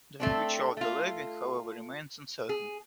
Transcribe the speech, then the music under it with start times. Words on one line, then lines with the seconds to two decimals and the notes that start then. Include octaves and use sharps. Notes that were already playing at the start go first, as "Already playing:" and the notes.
The future of the levee, however, remains uncertain.
0.20 A3 C4 D4
0.77 A3 F4
2.49 G#4